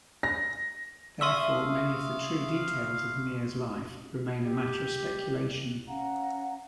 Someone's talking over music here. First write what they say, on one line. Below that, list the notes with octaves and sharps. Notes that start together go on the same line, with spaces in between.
Therefore, many of the 'true details' of Mir's life remain a matter of speculation.
A#6
E5 F5 C6 C#6 D#6 E6
G4
C#4 F5 F#5 A#5